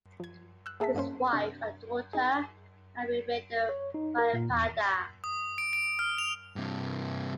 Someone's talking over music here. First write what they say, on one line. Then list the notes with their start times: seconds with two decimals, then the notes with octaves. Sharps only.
His wife and daughter had remained in Baripada.
0.20 F3 G#6
0.66 E6 F#6
0.80 A#3 G#4 E5 A5 B6
0.95 G2 A#3 C4 C#4 C5
1.33 C3 D4
2.13 D#4 G#4
3.69 C#5
3.94 D#4
4.18 A#4
4.34 A#2
4.50 E2
5.24 D#6
5.58 D7
5.73 D7
5.99 F6
6.18 F7
6.56 G2 C3